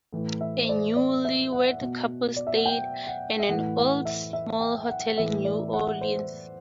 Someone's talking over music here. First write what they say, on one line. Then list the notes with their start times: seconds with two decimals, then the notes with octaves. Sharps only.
A newlywed couple stay at an old small hotel in New Orleans.
0.13 A2 E3
0.41 E5
0.62 C5
0.69 D5
0.96 D5
1.25 E5
1.52 F#5
1.81 B2
2.37 D5
2.47 E5
2.56 F#5
2.66 G5
3.07 F#5
3.39 E5
3.49 A2 E3 F#5
3.77 F#5
4.05 E5
4.33 E5
4.61 G5
4.90 F#5
5.17 A2 E3 E5
5.45 D5
5.73 F#5
6.01 C5